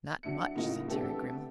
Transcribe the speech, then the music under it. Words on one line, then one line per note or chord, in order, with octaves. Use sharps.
"Not much!" said Terry grimly.
F#3 D4 E5 C#7
A2 C#3 F#3 A#3 D#4 F4
C3 A3 B3 D4 G4 A4